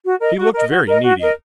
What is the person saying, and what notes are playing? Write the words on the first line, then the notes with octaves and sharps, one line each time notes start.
He looked very needy.
F#4
A#4 D#5
F#4
A#4 D#5
F#4
A#4 D#5
F#4
A#4 D#5